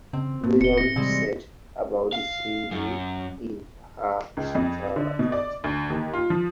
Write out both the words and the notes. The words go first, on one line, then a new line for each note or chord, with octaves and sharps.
Williams said about the single in her Twitter account.
C#3 C4
A2 A#3
E1 C#7 G7
A#6 C#7
C3 G3 G#3 C4
F5
F#2
C#2
F2
D3
B2
D5
D2
D#2
F4
F3